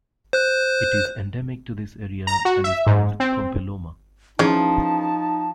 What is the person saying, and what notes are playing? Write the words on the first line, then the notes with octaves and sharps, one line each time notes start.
It is endemic to this area and is called Kompelloma.
C5 F#6
A#5
F#4
E5
G#2
C4
C#3 E3 F3 D#4 A5